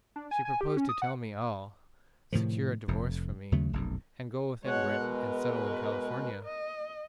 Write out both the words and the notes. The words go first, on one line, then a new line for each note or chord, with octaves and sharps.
She proposed to tell me all, secure a divorce from me, and go with Edward and settle in California....
D4
G#5
G#5
G4
C#4
D#6
F#5
A2 C3 D#3 F3
F1 F2
D#2 C#3 F#3 A3
F1 B1 F#2
B2 G#3 C#5 F#5
A#4 B4
D#5